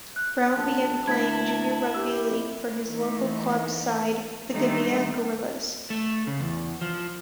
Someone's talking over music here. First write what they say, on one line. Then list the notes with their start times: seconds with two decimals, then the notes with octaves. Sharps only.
Brown began playing junior rugby league for his local club side the Gymea Gorillas.
0.16 F#6
0.57 A#1 A5
1.07 D2 E4 G#6 B6
1.94 G4 E6
2.30 F2
2.82 E3 A3 D#4
4.49 D#3 G3 A3 C4 D4 D#4
5.90 A3
6.27 C#3
6.41 E2
6.81 F3